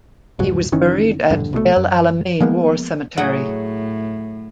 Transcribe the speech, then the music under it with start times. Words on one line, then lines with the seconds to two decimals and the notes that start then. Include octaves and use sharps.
He was buried at El Alamein War Cemetery.
0.39 F1 C#2 G#2 F#3
0.72 F#1 D#3 E3 C#4
1.31 E1 A#1 G2 D3
1.53 C2 B2 F#3 A3
1.77 F#2
2.41 F3 G#3 A#3 B3
3.17 A2 F#3 G#4 F#5